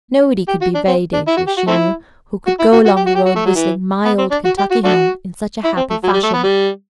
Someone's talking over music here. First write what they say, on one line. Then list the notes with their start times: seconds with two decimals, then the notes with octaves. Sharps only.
Nobody could be very dangerous, she knew, who could go along the road whistling "My Old Kentucky Home" in such a happy fashion.
0.48 G4
0.62 F#4
0.75 D4
0.88 C4
1.14 D4
1.28 E4
1.37 F#4
1.47 G4
1.57 F#4
1.68 A3 C4 E4
2.47 F#4
2.60 E4
2.73 F#4
2.86 F#4
2.96 G4
3.07 F#4
3.16 G4
3.26 F#4
3.36 A3
3.46 F#3
3.56 E3
4.05 B3
4.18 C4
4.31 D4
4.45 F#4
4.58 G4
4.71 F#4
4.85 A3 D4 F#4
5.64 E4
5.77 C4
5.90 A3
6.03 F#3
6.13 G3
6.24 A3
6.34 B3
6.44 G3